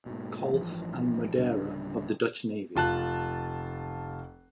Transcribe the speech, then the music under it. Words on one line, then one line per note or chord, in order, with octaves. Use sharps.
Kolff and Modera of the Dutch Navy.
G#2 B2
A1 G2 E3 F3
D1 C#3 G3 D4
F1 F4 A5 F#6